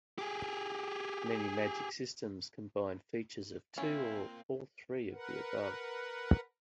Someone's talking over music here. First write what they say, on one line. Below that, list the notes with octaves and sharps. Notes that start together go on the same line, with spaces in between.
Many magic systems combine features of two or all three of the above.
G4 G#4
A#3 C4 C#4 E4 F4
A#4 B4 F#5